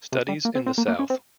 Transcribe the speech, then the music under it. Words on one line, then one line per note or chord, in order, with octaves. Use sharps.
Studies in the South.
C3
G3
A#3
C4
C4
A#3
A#3
C#4
C4